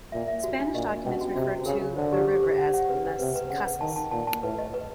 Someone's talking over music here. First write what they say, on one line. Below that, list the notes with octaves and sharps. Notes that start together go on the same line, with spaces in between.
Spanish documents referred to the river as Las Casas.
A#2 E5
E5
F#4
D4
A#2 D#5
D#5
B2 C#4
F#4
C3 F#4
F#4
C#3 A#4
C#5
D3 C5
G4
G4
C5
F#5
F#5
C#3 B4
B4
C3 B4
B4
C#3 F#5
B4
D#3 A5
A5
A#2 A5
A5
A2 B4
D#5
B4